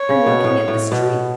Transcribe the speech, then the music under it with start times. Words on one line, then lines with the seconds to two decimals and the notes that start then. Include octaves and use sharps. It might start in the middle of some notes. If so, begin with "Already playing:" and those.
'I'm looking at this tree.
Already playing: C#5
0.09 C#3
0.26 B2
0.44 A2
0.68 A2
0.92 B2